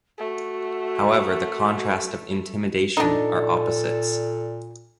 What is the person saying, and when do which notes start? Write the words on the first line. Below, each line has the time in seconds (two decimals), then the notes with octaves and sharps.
However the contrast of intimidation are opposites.
0.18 A3 F#4
2.97 A#2 D4 D#4 A4